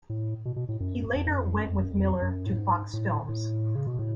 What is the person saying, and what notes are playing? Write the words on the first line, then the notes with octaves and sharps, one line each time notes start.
He later went with Miller to Fox Films.
A2
B2
B2
A2
F#2
F2
F#2
F2
F#2
F2
F#2
F2
F#2
A2
G#2
A2
A2
C#3
B2
A2